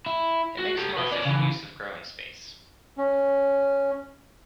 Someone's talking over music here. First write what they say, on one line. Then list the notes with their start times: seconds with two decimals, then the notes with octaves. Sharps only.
It makes more efficient use of growing space.
0.06 E4
0.59 F#4
0.77 G4 A4
0.96 B4 D#5
1.12 C#4 D5
1.24 C#3 E3
2.98 C#4